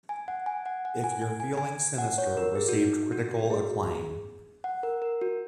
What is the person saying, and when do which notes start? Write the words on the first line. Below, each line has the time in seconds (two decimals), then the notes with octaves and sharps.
"If You're Feeling Sinister" received critical acclaim.
0.09 G#5
0.28 F#5
0.46 G#5
0.66 F#5
0.85 F#5
1.04 G#5
1.22 G#5
1.40 G#5
1.58 G#5
1.98 F#5
2.18 C#5
2.37 A#4
2.55 G#4
2.69 F#4
2.74 D#4
3.12 F#4
3.31 F#4
3.50 G#4
4.64 F#5
4.83 A#4
5.02 A#4
5.21 F#4